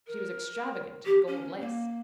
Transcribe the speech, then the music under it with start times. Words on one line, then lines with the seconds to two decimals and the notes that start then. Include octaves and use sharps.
She was extravagant in gold lace.
0.07 A#4
1.05 G4
1.27 C#4
1.60 A#3